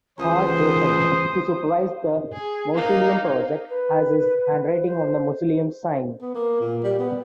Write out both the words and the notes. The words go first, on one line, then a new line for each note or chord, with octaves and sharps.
Hua Guofeng, who supervised the mausoleum project, has his handwriting on the mausoleum's sign.
C#2 E3 C5 D#6
G#4
A#3 D#4
B4
C5
B3
A#3
A#2
G3
B3